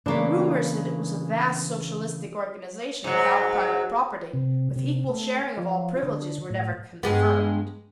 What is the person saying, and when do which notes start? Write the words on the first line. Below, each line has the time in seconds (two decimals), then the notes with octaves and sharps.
The rumors that it was a vast socialistic organization, without private property, with equal sharing of all privileges, were never confirmed.
0.06 C#3 E3 A3 A#3 D4
3.04 G#2 F#3
4.33 C3
4.76 C3
5.09 A3
5.57 F3
6.03 D3
6.50 A2
7.03 G2 G#3 B3